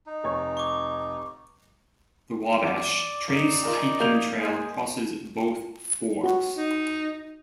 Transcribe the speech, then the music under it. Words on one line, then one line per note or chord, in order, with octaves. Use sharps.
The Wabash Trace hiking trail crosses both forks.
D#4
F1 C#5
C#6 D6
E2 F#3 D5
F#2 C#3 D#4 D5
D4 F4 A#4
A#3 F#4 A#4 G6 F7
G#3 G#4
F#4
D#4